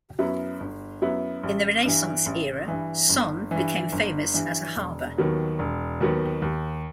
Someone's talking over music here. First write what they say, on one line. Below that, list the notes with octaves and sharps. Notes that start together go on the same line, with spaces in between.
In the Renaissance era, Son became famous as a harbour.
F#2 F#3 B3 E4
G1
F#2 F#3 B3 E4
A1
G2 E3
A1
G2 E3
G1
G2 E3
G1
G2 E3
E1
D#2 D#3 F#3 B3
E1
D#2 D#3 F#3 B3
D#2